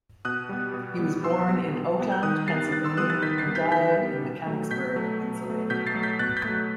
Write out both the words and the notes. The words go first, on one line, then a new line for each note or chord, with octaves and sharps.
He was born in Oakland, Pennsylvania and died in Mechanicsburg, Pennsylvania.
B2 D#6 F#6
G3 B3
B2
G3 B3
B2 C6 E6
G3 B3
B2
G3 B3
G6
D#3 D#6 F#6
G3 B3 A6 C7
D#3 F#6 A6
C6 E6
G3 B3 D#6 F#6
F#6 A6
D#3 G6 B6
A6 C7
G3 B3
G6 B6
D#3 G6 B6
G3 B3
B2
F#3 A3
B2 G6 B6
F#3 A3
B2
F#3 A3
B2 G6 B6
A6 C7
F#3 A3
G6 B6
B2 F#6 A6
G6 B6
F#3 A3